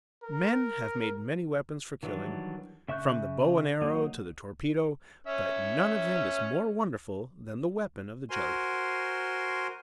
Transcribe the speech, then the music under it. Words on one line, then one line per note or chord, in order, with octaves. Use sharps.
Men have made many weapons for killing, from the bow-and-arrow to the torpedo, but none of them is more wonderful than the weapon of the Jelly-fish.
A#4
D#3 E3 F#3 G3 D4
C#3 E5 C#6 F#6 G6
F#3 A#3 D#4 D#5
C#4 E5
F#4 A#4 C5 G#5 C6